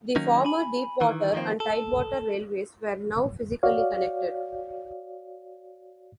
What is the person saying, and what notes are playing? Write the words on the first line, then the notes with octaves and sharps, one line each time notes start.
The former Deepwater and Tidewater Railways were now physically connected.
D#3 F#3 A#3 C#4 D#4
G#5 B5
D#3 E3
D#3 F3 G3 A#3 C4
A4
F#4 C#5 D5 F5